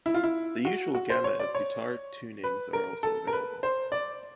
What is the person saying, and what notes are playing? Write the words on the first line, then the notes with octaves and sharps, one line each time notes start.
The usual gamut of guitar tunings are also available.
E4
F4
E4
F#4
F#4
C5
C#5
D5
C#5
B4
A#4
A4
A#4
B4
C5
D5